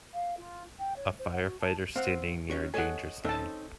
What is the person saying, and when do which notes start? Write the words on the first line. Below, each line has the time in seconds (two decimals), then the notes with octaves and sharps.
A firefighter standing near a danger sign.
0.13 F5
0.37 F4
0.79 G5
0.97 C#5
1.19 C5
1.32 F#5
1.45 F#4
1.61 A5
1.96 C4 F5 F#5
2.50 D#3 C#4 F#4
2.74 A4 C#5 D#5 F#5 G#5
3.25 C4 C#4 D#4 A4 A5